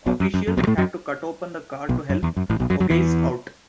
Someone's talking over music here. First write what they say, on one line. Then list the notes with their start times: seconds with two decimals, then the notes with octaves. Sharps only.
Officials had to cut open the car to help Ongais out.
0.06 B1 B2
0.20 F#2
0.34 F#2
0.47 F#2
0.57 B1 B2
0.63 F#3
0.67 A2 A3
0.78 F#2 F#3
1.89 B1 B2
2.10 F#2
2.23 E2
2.37 F#2
2.50 A1 A2
2.60 B1 B2
2.70 F#2 F#3
2.80 F#2 F#3
2.90 E2 E3